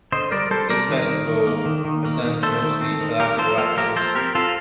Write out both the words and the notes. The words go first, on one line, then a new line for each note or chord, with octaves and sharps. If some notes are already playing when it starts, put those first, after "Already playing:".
This festival presents mostly classic rock bands.
D3 C5 D#5
G3 A#4 D5
G3 A4 C5
G3 A#4 D5
D#3
D#3
D#3
A#3
D#3
D#3
A#3
D#3
A3 A4 C5
D#3
C4
D#3
A#3 G4 A#4
F3 A4 C5
A#3 F4 A4
F3 G4 A#4
F3 A4 C5
C4 G4 A#4
C4 F4 A4